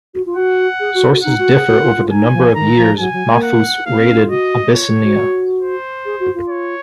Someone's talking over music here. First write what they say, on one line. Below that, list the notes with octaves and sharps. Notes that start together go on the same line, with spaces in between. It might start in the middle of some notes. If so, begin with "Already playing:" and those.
Sources differ over the number of years Mahfuz raided Abyssinia.
F#4
F4
F#4 F#5
G#4
F#4
F#4
D#4 F#5
F#4
G#4
F#4
F4
F4
D#4 G#5
F3
D#3 A#5
F3
F#3 G#5
F#3
A#3
F#5
A#3 F5
C4
C#4
F4
F#4 D#5
F4 C#5
F#4
C5
G#4
F#4
F4
C#5